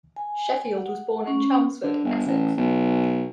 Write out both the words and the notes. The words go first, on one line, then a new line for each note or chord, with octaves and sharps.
Sheffield was born in Chelmsford, Essex.
G#5
F#5
C#4
D3
G1
A1
B1